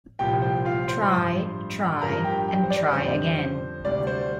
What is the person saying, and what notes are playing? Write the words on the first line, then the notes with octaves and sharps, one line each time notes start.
Try, try, and try again.
C2 A#2 F3 G4 G5
C5
F4 F5
C5 C6
G2 F3
G2 F3 A#4 A#5
G4 G5
G4 G5
C5
D4 D5
F2 D3 G3 C5
C5
D2 C3 G3 D4 D5
C5